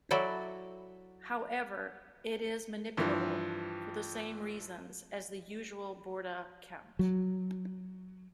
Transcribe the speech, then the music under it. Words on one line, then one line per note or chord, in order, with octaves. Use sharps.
However, it is manipulable, for the same reasons as the usual Borda count.
F#3 E4 F#4 A4 D5
G2 E3 F3
F#3